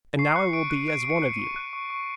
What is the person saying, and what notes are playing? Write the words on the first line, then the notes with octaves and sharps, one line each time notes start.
And now I will be as one of you.'
C#6 C7
F#6 C#7
C#6 D7
F#6 D#7
F#6 D7
C#6
C#7
F#6
D#7
C#6
F#6
C#6
C#6